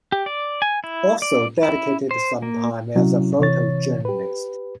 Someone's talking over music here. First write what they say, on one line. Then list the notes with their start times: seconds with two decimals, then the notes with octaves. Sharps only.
Also dedicated some time as a Photo Journalist.
0.12 G4
0.26 D5
0.62 G#5
0.84 E4
1.22 D5
1.63 E4
2.11 C5
2.42 A#3
2.95 C3 F#3 C#4 E4
3.40 C3 E3 C#5 A6
4.05 G4 B4